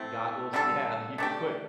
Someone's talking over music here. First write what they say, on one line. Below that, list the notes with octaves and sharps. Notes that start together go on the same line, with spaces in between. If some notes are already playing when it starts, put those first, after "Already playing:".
goggles Yeah you could put
Already playing: A3 C4 E4
D3 G3 D4 A4
A3 D4 G4